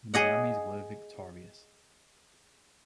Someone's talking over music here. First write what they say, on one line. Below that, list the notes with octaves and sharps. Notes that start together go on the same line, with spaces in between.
The Miamis were victorious.
G#4 D#5 F#5